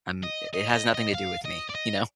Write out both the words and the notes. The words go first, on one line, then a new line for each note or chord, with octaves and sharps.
I'm i it has nothing to do with me, you know?
D#5
D#5
D#5
D#5
F5
D#5
D5
D#5